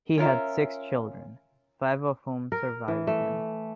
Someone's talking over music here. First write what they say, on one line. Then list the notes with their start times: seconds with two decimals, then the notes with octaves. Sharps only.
He had six children, five of whom survived him.
0.18 C#4 F4 A#4 E5
2.52 A#4
2.88 E3
3.07 A3